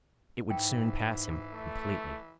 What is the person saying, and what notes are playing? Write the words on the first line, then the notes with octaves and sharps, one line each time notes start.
It would soon pass him completely.
G#2 E3 G5
A3